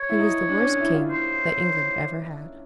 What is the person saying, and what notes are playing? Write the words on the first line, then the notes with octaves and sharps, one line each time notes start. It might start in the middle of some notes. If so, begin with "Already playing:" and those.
He was the worst king that England ever had.
Already playing: C#5
E4
D#4
D4
C#4
D4
E4
F4
C5